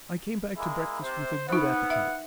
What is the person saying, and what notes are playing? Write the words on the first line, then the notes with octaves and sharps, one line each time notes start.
I came back to breakfast with a good appetite.
G#3 A#3 E4
C3 C5
B3 D#4 E4 C5 F#5
E5